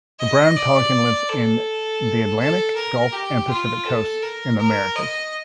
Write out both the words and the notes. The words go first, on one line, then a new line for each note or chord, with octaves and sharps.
The brown pelican lives on the Atlantic, Gulf and Pacific coasts in the Americas.
D#5
D5
A4
A4
A#4
G4
F4
A4
A#4
A#4
D#5